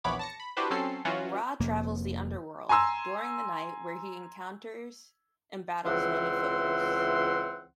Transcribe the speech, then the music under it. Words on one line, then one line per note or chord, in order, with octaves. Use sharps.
Ra travels the underworld during the night where he encounters and battles many foes.
A#1 E2 B3 C#5 B5 D6
A5 A#6 C#7
B5
D4 E4 F#4 G4 B4 C5
F#3 C4 C#4 A4 C7
E3 F#3 C#4 F4 F#4
F1 F2 C3 A#3
G#5 A#5 C6 E6
C#2 E3 C4 E5 F#5 C6